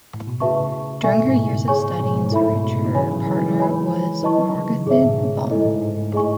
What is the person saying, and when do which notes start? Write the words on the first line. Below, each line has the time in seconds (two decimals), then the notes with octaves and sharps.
During her years of study in Zurich, her partner was Margarethe Böhm.
0.14 A2
0.27 B2
0.40 A2 C#3 F#4 B4 E5 A5 C#6
1.04 B2 D#3 A4 E5 G#5 C#6
1.25 G#2 B2
1.36 A2 C#3
1.68 G#4 C#5 G#5 C#6
1.99 G#2 B2
2.16 G#2
2.32 A2 E4 A4 E5 B5
2.42 A2
2.52 G#2 B2
2.64 G#2 B2
2.74 A2 C#3
2.85 B2 D#3
2.95 C#3 E3 C#5 G#5 B5
3.11 D#3 F#3
3.27 E3 G#3
3.38 D#3 F#3
3.48 E3 G#3
3.59 C#5 G#5 B5
4.23 D#3 F#3 E4 B4 D#5 A5 C#6
4.54 C#3 E3
4.86 A2 C#3 G#4 C#5 E5
5.02 G#2 B2
5.18 G#2
5.34 A2
5.49 G#2 E4 A4 D#5
5.66 A2
5.82 G#2
5.94 G#2
5.97 A2
6.13 A2 G#4 D#5 G#5 C#6